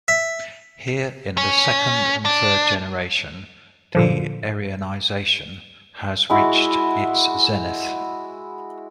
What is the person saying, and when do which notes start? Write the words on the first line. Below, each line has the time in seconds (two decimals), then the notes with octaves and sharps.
Here in the second and third generation, the Aryanisation has reached its zenith.
0.08 E5
1.38 C#4
2.25 D4
3.95 A#2 D3 F3
6.30 G#3 E4 F#4